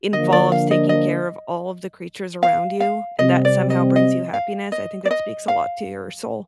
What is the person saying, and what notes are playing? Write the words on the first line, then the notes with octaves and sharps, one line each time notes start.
involves taking care of all of the creatures around you and that somehow brings you happiness, I think that speaks a lot to your soul.
D3 F3 A#3 D4 D#5
D5
F5
D#5
D#5
F5
F5
C3 G3 C4 D#5
D5
D#5
D#5
F5
D#5
D5
D#5
F5